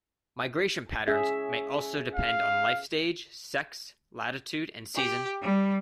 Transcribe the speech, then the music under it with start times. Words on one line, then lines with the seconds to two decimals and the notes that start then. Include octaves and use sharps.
Migration patterns may also depend on life stage, sex, latitude, and season.
1.08 C#4 G#4 E5
2.15 F5
4.94 G4
5.41 G3